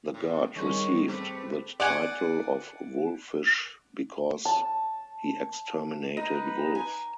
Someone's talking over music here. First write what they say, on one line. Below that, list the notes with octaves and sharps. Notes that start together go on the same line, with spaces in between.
The god received the title of Wolfish because he exterminated wolves.
A2
D#3 G3 G#3 C4 C#5
A3 C4 G4 B4
D5 F#5 G#5
A5
D#4 B4 D#5
G#5 A#5